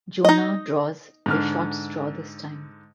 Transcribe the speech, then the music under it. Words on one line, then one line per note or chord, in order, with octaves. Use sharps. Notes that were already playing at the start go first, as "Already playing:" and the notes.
Jonah draws the short straw this time.
D#4 D#5
G#2 D3 F6